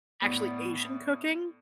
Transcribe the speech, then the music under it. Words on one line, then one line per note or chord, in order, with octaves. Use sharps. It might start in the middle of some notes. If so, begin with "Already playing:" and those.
actually Asian cooking?
A2 B3 D5